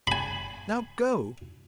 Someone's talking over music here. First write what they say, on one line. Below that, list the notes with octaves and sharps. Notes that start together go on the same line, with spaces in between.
Now go!
G#5 B5